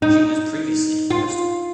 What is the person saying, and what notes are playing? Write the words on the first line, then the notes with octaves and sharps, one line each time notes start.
She was previously divorced.
D#4
F4